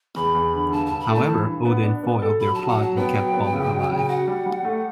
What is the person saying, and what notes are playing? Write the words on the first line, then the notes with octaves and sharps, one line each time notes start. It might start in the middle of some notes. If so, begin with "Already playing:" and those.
However, Odin foiled their plot and kept Balder alive.
E2 B5
E2
D3
G2 A5
G2 A5
B5
A3
A5
E3
G2
B3
D4
B3
A4
F#3 B5
F#3 A5
F#5
F#3 A5
B3 G5
F#3
B3
C#3
F#3
C#3
F#4 F#5
G3
G3
A3